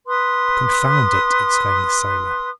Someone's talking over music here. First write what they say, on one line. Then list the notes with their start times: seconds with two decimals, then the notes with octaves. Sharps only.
"Confound it!" exclaimed the sailor.
0.07 B4 C6 D#6